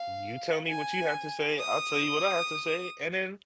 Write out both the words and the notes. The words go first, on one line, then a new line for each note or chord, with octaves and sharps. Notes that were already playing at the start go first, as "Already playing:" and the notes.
you tell me what you have to say, I'll tell you what I have to say," and then
Already playing: F5
G#5
D#6